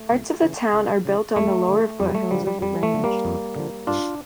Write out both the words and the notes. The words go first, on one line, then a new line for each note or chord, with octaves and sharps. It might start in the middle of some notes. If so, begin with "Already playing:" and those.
Parts of the town are built on the lower foothills of the range.
Already playing: A3
C#2
C#3 E3
C#2
C#3 E3
F2 A3
D3 F3
F2 G3
A3
D3 F3 G3
G3
F2 G3
A3
D3 F3
G3 A#3
F2
D3 F3
G2 D4 F4